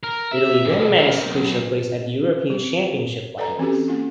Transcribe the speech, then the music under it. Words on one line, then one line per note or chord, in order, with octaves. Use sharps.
Italy then managed to clinch their place at the European Championship finals.
A#4
E5
G#2 D3
B2
A#3 C4
B1
G3 C4
A4 B4 D5 D#5 G#5 A#5
E3 C4 C#4 F#4 G4 A4
A#3 C#4 F4 F#4